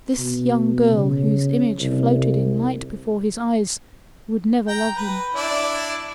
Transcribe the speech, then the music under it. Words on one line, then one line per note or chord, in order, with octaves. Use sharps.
This young girl whose image floated in light before his eyes, would never love him.
B2
C#3
C2
G5 A#5
B4
D4 E4 D5